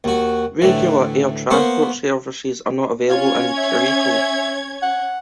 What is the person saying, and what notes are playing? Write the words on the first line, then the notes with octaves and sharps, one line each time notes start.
Regular air transport services are not available in Kericho.
D#2 F#4
D2 A2 E3
A#3 B3 C5 C#6
C#4 F4 C#5 G#6
E5
F#5